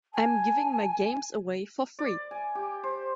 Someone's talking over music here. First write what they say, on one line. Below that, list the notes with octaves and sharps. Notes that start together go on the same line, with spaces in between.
I'm giving my games away for free.
G#5 A5
D5
G#5
G4
C5